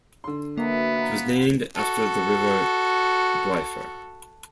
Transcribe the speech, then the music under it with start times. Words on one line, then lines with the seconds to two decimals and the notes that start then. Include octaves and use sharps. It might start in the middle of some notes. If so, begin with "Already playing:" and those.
It was named after the river Dwyfor.
0.24 D3 C6
0.57 E3 F#3 A#3 B3 E4
0.93 F4 F#5 A#5
1.75 F#4 A4